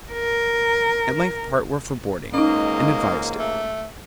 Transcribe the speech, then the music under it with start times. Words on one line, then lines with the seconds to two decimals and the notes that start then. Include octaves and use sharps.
At length part were for boarding, and advised it.
0.13 A#4
2.34 C#2 G#2 A#3 C#4 D#4 D#5
3.39 A3